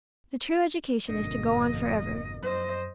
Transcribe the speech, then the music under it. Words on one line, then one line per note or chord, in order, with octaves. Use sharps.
The true education is to go on forever.
G1 F2 G#2 B2 D3 A#3 D#5
F#2 C5 D#5